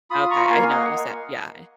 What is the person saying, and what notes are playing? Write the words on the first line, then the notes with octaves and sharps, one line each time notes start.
Okay, I didn't know what you said. Yeah, I
F4 B5 D#6
F4 A#5 C#6
A#3 F5 G#5
A#3 D#5 F#5